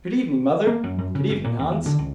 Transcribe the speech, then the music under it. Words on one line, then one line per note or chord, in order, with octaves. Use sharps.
'Good evening, mother.' 'Good evening, Hans.
A#3
F#2
F#2
C#3
G1
A#2
D#2
E2
D3
C#2